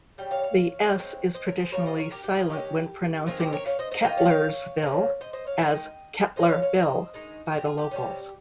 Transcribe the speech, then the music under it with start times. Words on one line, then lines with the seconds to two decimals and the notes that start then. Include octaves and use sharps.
The "s" is traditionally silent when pronouncing Kettlersville as "Kettler-ville" by the locals.
0.18 C#3 G3 G5
0.31 C#5 F5
0.43 C#5 F5
0.95 F3
0.98 G#3 C4
1.35 C5 D#5
1.46 A#4 C#5
1.59 G#4 C5
1.72 G3 C4 F4 A#4 C#5
1.86 C5 D#5
1.98 A#4 C#5
2.11 G4 A#4
2.24 G4
2.36 F4 G#4
2.50 D#3 G#3 C#4 G4
3.27 D#3 G#3 C4 F4 G#4
3.40 G4 A#4
3.53 A#4 C#5
3.66 C#5 F5
3.79 C5 D#5
3.91 C5 D#5
4.04 D#3 A#3 F4 D#5 G5
4.17 C#5 F5
4.31 C#5 F5
4.82 C#3 F3 A#3
5.21 C5 D#5
5.33 C5 D#5
5.46 C#5 F5
5.59 D#3 G#3 D#4 D#5 G5
6.36 A#2 G#3 C#4 C5 D#5
6.50 C#5 F5
6.62 C#5 F5
6.75 C5 D#5
7.14 D#3 G#3 D#4
7.52 G4 A#4
7.65 F4 G#4
7.78 G4
7.91 C3 G3 C#4